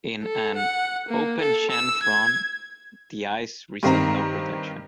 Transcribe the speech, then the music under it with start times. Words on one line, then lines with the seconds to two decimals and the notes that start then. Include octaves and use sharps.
In an "open chanfron", the eyes received no protection.
0.22 A4
0.56 F#5
1.09 A#3
1.41 A4
1.71 E6
2.03 G#6
3.83 G2 D#3 C4 A#5